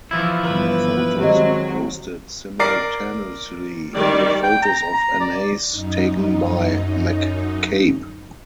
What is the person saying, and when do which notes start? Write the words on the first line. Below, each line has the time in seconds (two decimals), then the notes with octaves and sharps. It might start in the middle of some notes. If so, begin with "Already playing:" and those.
Her photos were posted simultaneously with photos of Anais taken by McCabe.
0.11 E3 F3 E4
0.43 G1 B4
1.19 D#3 F#3 G#3 C4 G4 D#5
2.59 A#4 D5 C7
3.94 D#3 G3 D5
4.43 G5
4.62 A#5
4.94 A#5
5.20 D5
5.72 F#2 D#4